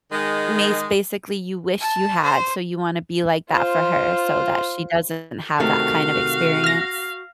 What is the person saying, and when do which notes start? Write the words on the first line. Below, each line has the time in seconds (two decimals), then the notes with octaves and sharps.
miss basically you wish you had, so you wanna be like that for her, so that she doesn't have that kind of experience.
0.12 D#3 G#3
1.81 A5
2.23 C5
3.51 F4 C5
5.60 C3 D#3 A3 F#4 F5
6.64 F6 A#6